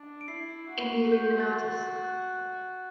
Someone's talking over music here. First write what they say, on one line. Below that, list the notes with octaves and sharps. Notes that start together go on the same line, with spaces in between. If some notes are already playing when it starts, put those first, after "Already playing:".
In The Illuminatus!
Already playing: D4
D7
E4 C7
F#4
G6
A6
F#6